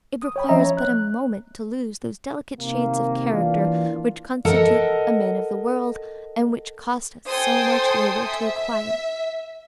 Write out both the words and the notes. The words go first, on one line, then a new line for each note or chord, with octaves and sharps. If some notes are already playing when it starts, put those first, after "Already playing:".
It requires but a moment to lose those delicate shades of character which constitute a man of the world, and which cost us so much labor to acquire.
D#6
C#5 G5 B5
F3 C#4 D#5 E5 A#5
C#5
F#6
C3 D#3 A#3
E3 A#3 D4 F4
A4 A#4 D#5 F#5
A4 C5 G5 G#5 C6 D#6
E5